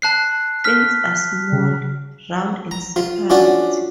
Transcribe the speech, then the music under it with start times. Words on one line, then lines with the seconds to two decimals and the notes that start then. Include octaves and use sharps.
Fins are small, round and separate.
0.02 A5 F#6 C7
0.64 F6 B6
1.52 C#3
2.71 A#5
2.96 F4
3.30 C#4 D4 F4 F#4 D5